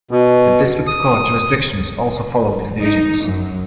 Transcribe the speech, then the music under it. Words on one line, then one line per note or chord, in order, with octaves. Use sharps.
The district court jurisdictions also follow these divisions.
B2
D#6
D#4
F#2